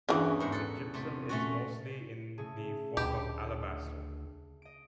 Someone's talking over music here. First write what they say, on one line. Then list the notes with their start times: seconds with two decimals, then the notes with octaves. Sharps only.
The gypsum is mostly in the form of alabaster.
0.09 E2 G2 C#3 E3 F#4
0.40 G#2 A#4 F#5
0.52 A4 F#5
0.94 C3 A3
1.29 A3 C#4 F#4
2.38 C#3 A3 G#4
2.97 D2 G4
4.62 D#5 D7